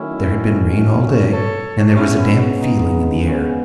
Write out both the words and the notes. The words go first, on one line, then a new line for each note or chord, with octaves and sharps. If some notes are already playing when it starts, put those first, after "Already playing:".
There had been rain all day, and there was a damp feeling in the air.
Already playing: D#3 F#3 A3 C#4 E4
A4 C#5
C#3 G#3 B3 C#4 E4
D#4
C#4